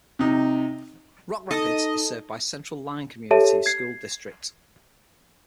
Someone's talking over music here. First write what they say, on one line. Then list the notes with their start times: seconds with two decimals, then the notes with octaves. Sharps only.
Rock Rapids is served by the Central Lyon Community School District.
0.19 C3 D#4
1.51 D#4 A4 D#5
3.31 G4 A4 C#5 E5 A5 D#7
3.66 G#6 C7